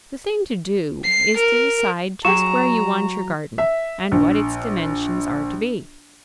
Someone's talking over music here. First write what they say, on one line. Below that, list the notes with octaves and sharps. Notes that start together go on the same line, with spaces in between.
The thing to do is to decide just where you want your garden, and what its dimensions are to be.
C7
A#4
F#3 G4 G#4 A#5 C#6 E7
E5
A#1